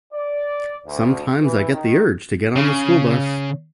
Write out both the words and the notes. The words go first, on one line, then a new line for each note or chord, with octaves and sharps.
Sometimes I get the urge to get on the school bus.
D5
D2
E3
D#3
C#3